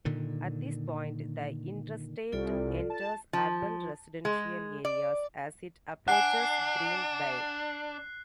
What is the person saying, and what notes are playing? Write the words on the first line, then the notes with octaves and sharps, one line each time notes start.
At this point, the Interstate enters urban residential areas as it approaches Green Bay.
A#2 D3 D#3
C2 F4 A4 D5
A5
F3
G#3
D5
D4 F#5 G#5 F#6 C7